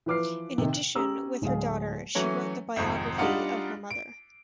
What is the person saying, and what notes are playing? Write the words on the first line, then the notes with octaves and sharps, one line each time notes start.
In addition, with her daughter, she wrote the biography of her mother.
E3 F3 B4 D6 F6 C7
C3 D#3
F#7
C#4 G4 A#5 D#6 E6
D1 G#3 G#4 F5
E3 F#3 A3 C#4
G#1 F2 G#2 C3
G3 D4 D#4 F4 F#5
D7